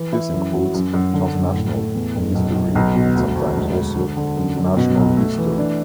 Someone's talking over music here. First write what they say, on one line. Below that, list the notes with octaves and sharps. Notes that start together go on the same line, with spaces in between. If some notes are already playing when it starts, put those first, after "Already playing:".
This includes "transnational" history and sometimes also international history.
Already playing: E3
E4
F#2
F#3
F#2
F#2
D3
F#1
A2
A3
E2
F#1
B1
B1
B1
B2
D2
D2
E1
E1
D3
D3
F#2
F#2
B2
B1
A3
E3
D4